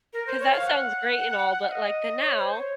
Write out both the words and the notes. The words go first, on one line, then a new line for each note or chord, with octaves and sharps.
'Cause that sounds great and all, but like the now,
A#4
C5
C#5
F5
F#5
F5
D#5
C#5
C5
C#5